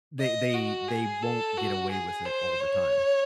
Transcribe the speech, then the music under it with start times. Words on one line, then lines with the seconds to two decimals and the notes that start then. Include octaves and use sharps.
they they they won't get away with it all the time,
0.20 D#5
0.54 F#4
0.88 G#4
1.22 A4
1.57 F#4
1.91 G#4
2.25 C5
2.60 C#5